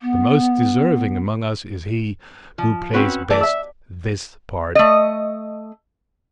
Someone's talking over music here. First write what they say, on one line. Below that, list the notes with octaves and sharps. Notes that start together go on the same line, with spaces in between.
The most deserving among us is he who plays best this part.
B3
F3
C4 C#4 F#4 B4
E3 A3 G#4 D5
E5
A3 D#5